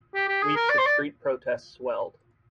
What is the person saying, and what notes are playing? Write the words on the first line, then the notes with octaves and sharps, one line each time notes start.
Weeks of street protests swelled.
G4
G4
G#4
A#4
D5
C5
D5